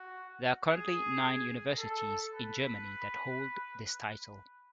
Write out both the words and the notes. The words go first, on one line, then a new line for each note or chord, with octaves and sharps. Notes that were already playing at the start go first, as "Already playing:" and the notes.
There are currently nine universities in Germany that hold this title.
Already playing: F#4
G#4
A4
B4